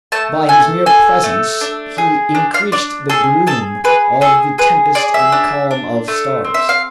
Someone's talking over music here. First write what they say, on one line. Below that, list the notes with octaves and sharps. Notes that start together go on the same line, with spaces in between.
By his mere presence he increased the gloom of the tempest and the calm of stars.
A3 A5
A4 G#5
A4 G#5
A3
D4
G#4
D4
F5
D4 D5
G#4 A4
G#4 A4
G#4 B4
G#4 A4
G#4 B4
G#4 D5
E5
D4
D4
A3
C4
E5
F5